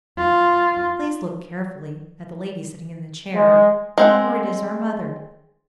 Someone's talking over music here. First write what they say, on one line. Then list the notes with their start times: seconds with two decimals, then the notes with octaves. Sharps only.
Please look carefully at the lady sitting in the chair, for it is our mother.
0.18 F4
3.35 G#3
3.98 G#3 C4 F#5